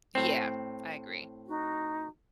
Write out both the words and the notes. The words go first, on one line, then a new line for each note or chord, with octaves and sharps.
Yeah. I agree.
A2 C4
D#4 F#4